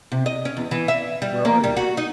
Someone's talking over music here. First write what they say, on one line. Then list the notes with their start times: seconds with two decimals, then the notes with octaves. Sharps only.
"Where are you?"
0.12 C3
0.26 D#5
0.45 C#4
0.57 E2
0.71 E3
0.88 E5
1.22 G3
1.45 A#3
1.64 G3
1.77 F#4
1.97 D#4